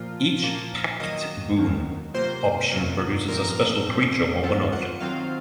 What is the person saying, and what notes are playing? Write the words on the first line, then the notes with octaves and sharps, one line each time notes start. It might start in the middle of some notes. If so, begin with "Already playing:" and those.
Each Pact Boon option produces a special creature or an object.
Already playing: A#2 F3 A#3 F4
A#2 F3 A#3 F4
D#3 F#3 A#3 D#5
D#3 F#3 A#3
C3 F#3 A#3 F4 C5
C3 F#3 A#3 F4
A#2 F3 A3 C4 A#4
A#2 F3 A3 C4
D#3 F#3 C4 F4 A4
F#5
D#3 F#3 C4 F4 F5